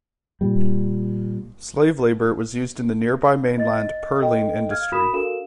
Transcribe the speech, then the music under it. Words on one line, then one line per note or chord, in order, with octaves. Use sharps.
Slave labour was used in the nearby mainland pearling industry.
A#2 G3
D#5 A6
A4 D#5 G5
F5 F6 G#6
F#4 A#4 B5 D#6 B6 E7
D4 F#4 A4 A#4 F5 E7